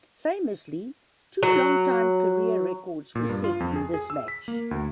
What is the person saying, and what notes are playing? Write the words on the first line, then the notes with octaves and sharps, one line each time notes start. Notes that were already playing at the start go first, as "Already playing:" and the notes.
Famously, two longtime career records were set in this match.
F#3
A#2
G2
F4
F2
G#4
G#4
E6
B6
A#3
D2